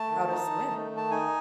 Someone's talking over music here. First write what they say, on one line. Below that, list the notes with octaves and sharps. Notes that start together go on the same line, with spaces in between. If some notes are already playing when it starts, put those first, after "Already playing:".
how to swim.
Already playing: A3 A5
D#3
D#4
D#3
A3
D#3
A5
D#4 G#5